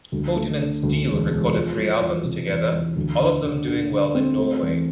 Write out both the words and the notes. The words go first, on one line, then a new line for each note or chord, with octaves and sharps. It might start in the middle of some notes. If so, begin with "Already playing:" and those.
Holton and Steel recorded three albums together, all of them doing well in Norway.
D2
A3
D3
D2
E1
E1
F3
F3
E2
C3
E2
E2
D2
D3
D3
D3
D3
C4
A3
E2